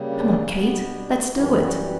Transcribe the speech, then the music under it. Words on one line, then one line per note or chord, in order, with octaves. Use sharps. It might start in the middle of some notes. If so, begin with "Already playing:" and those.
Come on, Kate, let's do it!
Already playing: C#3 G3 A#3
D4
B2 G3 B3 D4
F#2 E3 G3 E4
F#4
G4